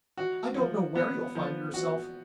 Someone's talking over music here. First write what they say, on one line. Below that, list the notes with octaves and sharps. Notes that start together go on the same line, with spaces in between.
I don't know where you'll find yourself.
F#4
F3
B3
F3
F#4